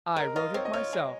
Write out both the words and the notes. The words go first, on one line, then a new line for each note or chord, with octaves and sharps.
"I wrote it myself."
G#3 A#4
F4 D#5
C4 C#5
D#5
F4 C#5
G#3